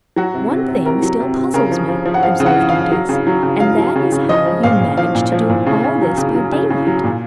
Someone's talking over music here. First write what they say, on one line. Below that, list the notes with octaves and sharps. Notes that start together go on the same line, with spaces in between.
"One thing still puzzles me," observed Dantes, "and that is how you managed to do all this by daylight?"
F#3 F#4
C3
C3
C3
C3 A#4
F#3
C3
C3
C#3 A#4
F3
F3
F3
F#5
F3 F5
C#3
F#5
F3
F5
F3
F#3
C#3
F#3
C#3
F#3 F5
F#3
C#3
C#3
F3 D#5
F3
A#2 F5
A#2
F3 F5
A#2
F3
A#2
C#3
C#3
F#3
C#3
F#3
C#3
C#3
F#3
A#2